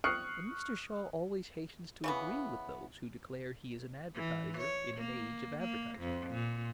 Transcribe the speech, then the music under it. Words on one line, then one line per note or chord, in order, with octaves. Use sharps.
And Mr. Shaw always hastens to agree with those who declare he is an advertiser in an age of advertisement.
C#6 D#6 F6 F#6 C7 C#7
C#3 E3 B3
E3
C#5
A#3
A#3
F2
A#2